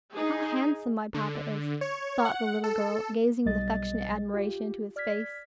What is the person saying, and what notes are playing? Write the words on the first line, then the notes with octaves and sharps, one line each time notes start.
"How handsome my papa is!" thought the little girl, gazing with affectionate admiration into his face.
D#4 G#4
D3
C#5
F#5
A4
B1 G3 D#5 A6
F4 G4
D5 F6 G#6 B6